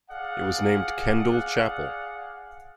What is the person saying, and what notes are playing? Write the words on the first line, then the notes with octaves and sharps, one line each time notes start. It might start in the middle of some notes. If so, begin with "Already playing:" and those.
It was named Kendall Chapel.
G#4 D5 F5 F#5